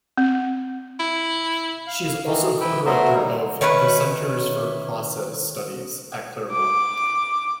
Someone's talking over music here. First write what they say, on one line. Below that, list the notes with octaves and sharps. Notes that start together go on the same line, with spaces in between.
She is also co-director of the "Center for Process Studies" at Claremont.
C4
E4
F5
F5
D#3 E3
E4 B4 G5 E6
F#3 A3 B3 A#4 C5 E5
D#3 G3 D#4
D#3 C#4 E4 B4
D6